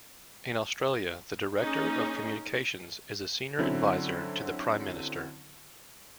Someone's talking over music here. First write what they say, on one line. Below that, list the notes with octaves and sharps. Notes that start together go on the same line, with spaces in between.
In Australia, the director of communications is a senior adviser to the Prime Minister.
A#3 C#4 D#4 G#4
D3 F#3 C4 C#4 E4